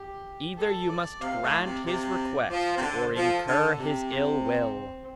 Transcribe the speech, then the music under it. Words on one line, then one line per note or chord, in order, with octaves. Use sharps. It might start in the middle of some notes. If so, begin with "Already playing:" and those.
Either you must grant his request or incur his ill will.
Already playing: G4
A4
D5
C3 F5
A2
D5
C3
C3 D5
F3 C5
C3
D3
F3 A4
D3
C3 G4
C4
C4